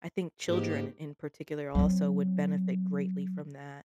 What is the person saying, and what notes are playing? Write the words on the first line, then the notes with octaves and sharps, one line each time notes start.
I think children in particular also would benefit greatly from that,
G#2 A#3 B3 G4
F#3 C4